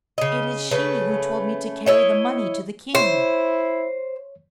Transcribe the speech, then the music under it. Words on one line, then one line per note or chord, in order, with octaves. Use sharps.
"It is she who told me to carry the money to the king."
C#3 D#5
C#3 A3 B4
E4 C#5 D#5
E4 C5 C#5